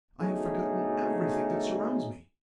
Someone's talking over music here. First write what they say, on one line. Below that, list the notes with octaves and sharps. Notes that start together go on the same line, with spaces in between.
I have forgotten everything that surrounds me.
D2 B2 A3 C#4 D#4 G#4